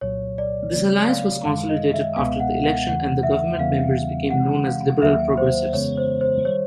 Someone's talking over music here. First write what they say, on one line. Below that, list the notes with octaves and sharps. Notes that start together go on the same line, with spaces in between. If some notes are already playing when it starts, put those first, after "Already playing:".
This alliance was consolidated after the election, and government members became known as "Liberal-Progressives".
C2 A#2 F#3 C#5
D5
C#3 F#3 A3 C4 D5
F5
F#2 D#3 G#3 F5
D#5
E5
C#2 B2 G#3 B3 F5
F#5
F#5
E2 C#3 E3 A3 F#5
E5
E2 C#3 E3 G3 B3 F5
C#3 E3 G#3 C4 F#5
F5
D#2 D#3 F#3 A#3 E5
C5
F2 C#3 E3 G#3 B3 C#5
C5
C5
D#3 G3 C#5